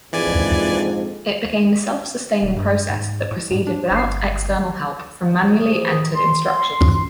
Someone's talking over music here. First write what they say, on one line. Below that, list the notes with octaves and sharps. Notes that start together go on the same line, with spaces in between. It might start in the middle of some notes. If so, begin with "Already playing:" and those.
It became a self-sustaining process that proceeded without external help from manually entered instructions.
A#1 F2 G#2 E3 D5 G#5
E1
G2
G#2
A2
G#2
D4
G1
A2 E3 F3 G#4 D#6
C6